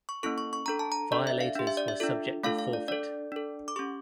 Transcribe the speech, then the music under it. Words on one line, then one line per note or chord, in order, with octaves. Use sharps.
Violators were subject to forfeit.
C#6
A#3 C#4 E4 A4 C#6
C#6
C#6
D4 A4 A#5
A5
A#5
D4 A4 D5
E5
F5
D4 G4
E5
D5
E5
D4 F4 A4
A3 D4 F4 A4 F5
F5
D5
D4 A4 D5
D4 A4
D6
C#4 G4 C#6